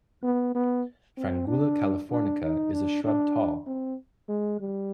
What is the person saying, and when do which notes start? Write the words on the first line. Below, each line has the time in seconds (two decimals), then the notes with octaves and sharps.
"Frangula californica" is a shrub tall.
0.23 B3
0.55 B3
1.17 C4
1.47 D4
2.11 D4
2.42 D#4
2.73 D4
3.04 D4
3.67 C4
4.28 G#3
4.60 G3